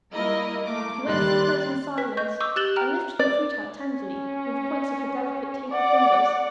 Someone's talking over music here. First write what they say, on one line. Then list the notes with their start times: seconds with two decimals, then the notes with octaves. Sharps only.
She went for a plate in silence, and lifted the fruit out tenderly, with the points of her delicate taper fingers.
0.12 G3 A#3 E4 A#4 D#5
0.65 A3 A#3 D6
1.06 D#2 G3 C6 F#6 A6
1.98 B4 B6
2.17 D#5 C#6 G6
2.40 C#6 D6 E6 G6
2.56 G4 F#6 A6 E7 F#7 G7
2.76 G5 A#5 F6 F#6
3.19 D5
3.91 C#4
5.68 D5 F#5